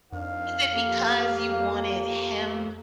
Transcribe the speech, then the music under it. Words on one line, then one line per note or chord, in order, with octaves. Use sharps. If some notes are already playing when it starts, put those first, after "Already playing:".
Is it because you wanted him
F2 D4 D#4 A#4 F5
A#3 G4 A4